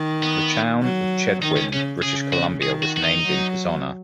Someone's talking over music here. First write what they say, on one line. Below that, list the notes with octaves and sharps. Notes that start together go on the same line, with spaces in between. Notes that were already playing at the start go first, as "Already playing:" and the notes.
The town of Chetwynd, British Columbia was named in his honor.
Already playing: D#3
B3
F#3
D#3 D#4
C#4
C#3 C#4
C#3 G#4
F#4
D#3 G#4
F#4
F#4
D#4
F#3